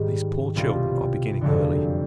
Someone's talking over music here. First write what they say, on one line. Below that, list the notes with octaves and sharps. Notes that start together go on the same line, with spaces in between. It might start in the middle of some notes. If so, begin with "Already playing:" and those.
These poor children are beginning early.
Already playing: G#2 D#3 G3
C2 B2 G3 C4 F4
F#1 F2 D3 F#3 A3